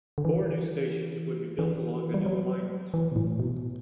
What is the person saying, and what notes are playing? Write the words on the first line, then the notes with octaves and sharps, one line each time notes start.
Four new stations would be built along the new alignment.
D3
E3
E3
G3
F#3
E3
B2
A2
B2